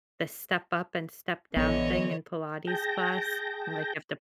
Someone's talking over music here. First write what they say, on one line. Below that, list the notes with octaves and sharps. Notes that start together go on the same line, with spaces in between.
the step-up-and-step-down thing in Pilates class, and, like, you have to
A#1 D3 E3 B3 C#5 D#5
G#4 G5 A5 G6 A#6